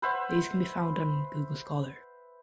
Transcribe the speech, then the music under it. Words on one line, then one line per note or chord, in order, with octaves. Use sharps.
These can be found on Google Scholar.
B4 C5 E5 F#5